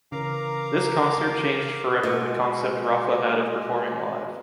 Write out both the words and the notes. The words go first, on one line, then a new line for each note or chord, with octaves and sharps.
This concert changed forever the concept Rapha had of performing live.
C#3 E3 A#4 F5 A#5 D6
B2 G#3